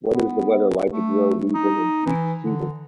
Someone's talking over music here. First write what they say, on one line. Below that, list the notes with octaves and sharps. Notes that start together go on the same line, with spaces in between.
What is the weather like in your region in each season?
B3
A3
D#4
E3
D3